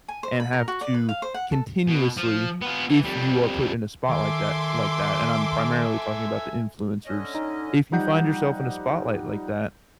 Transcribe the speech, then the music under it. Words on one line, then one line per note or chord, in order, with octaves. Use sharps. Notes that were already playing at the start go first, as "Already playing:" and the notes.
and have to continuously, if you are put in a spot like that like that, and I'm primarily talking about the influencers, if you find yourself in a spotlight like that,
G#5
C5
B5
A#4
F#4
D5
B4
F5
C5
F#5
A4
B2
F3
B3 F4
E3
F2 G3
D#3 A4 E5 G#5 C6 D6
D3 C#4 D#5
D#4
F3 G3 D#4 F#5 G6